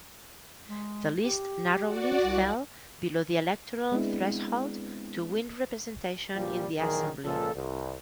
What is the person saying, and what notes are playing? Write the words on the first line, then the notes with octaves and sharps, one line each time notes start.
The list narrowly fell below the electoral threshold to win representation in the assembly.
G#3
G4
F#4 D5 F#5
C2
G#3 B3 C4 D4 E4
A#1 A#2 F3 G3
A#1 D#3 E3 F#3 G#4 A#4
C#2 A#2 F3 A4
C2